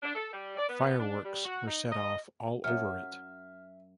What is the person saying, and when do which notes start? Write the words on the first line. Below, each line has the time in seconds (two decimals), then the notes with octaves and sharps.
Fireworks were set off all over it.
0.03 D4
0.15 A4
0.33 G3
0.57 D5
0.69 B3
0.99 D4
1.25 G3
1.45 F#4
1.67 D#4
1.92 D#5
2.64 F#2 F#3 E5 F6